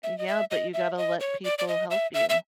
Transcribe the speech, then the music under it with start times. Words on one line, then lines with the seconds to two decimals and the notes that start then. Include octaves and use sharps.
yeah, but you gotta let people help you.
0.03 E5
0.18 D#5
0.28 E5
0.51 D#5
0.74 E5
0.98 D#5
1.20 C#5
1.44 D5
1.58 D5
1.68 D#5
1.91 E5
2.14 E5
2.29 E5